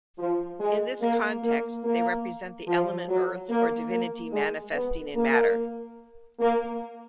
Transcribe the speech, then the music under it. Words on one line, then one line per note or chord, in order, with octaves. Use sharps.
In this context they represent the element earth or divinity manifesting in matter.
F3
G#3
A#3
A#3
A#3
F3
F#3
A#3
A#3
G#3
B3
A#3
A#3